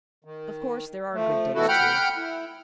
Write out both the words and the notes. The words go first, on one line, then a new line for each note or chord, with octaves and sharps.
Of course there are good days, too.
D#3
F3 A3
B2 E3 A3 E4 F#4 A4
F#5 G5 B5 F6 G6
E4